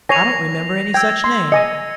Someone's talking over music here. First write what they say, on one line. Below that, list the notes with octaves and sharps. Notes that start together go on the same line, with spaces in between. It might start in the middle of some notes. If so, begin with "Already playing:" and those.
'I don't remember any such name!'
C#5 G#5 A#6 C7 F7
G5 E6 G#6
C6
D#5 G#5 D#6 C#7